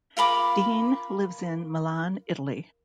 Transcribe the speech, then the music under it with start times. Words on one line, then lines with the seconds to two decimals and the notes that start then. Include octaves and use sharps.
Deen lives in Milan, Italy.
0.17 F4 A#4 B5 D6